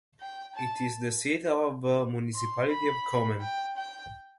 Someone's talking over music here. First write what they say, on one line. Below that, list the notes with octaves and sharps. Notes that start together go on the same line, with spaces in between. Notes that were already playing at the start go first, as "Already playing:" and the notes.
It is the seat of the Municipality of Komen.
G5
A5
C6
B5
G5
G5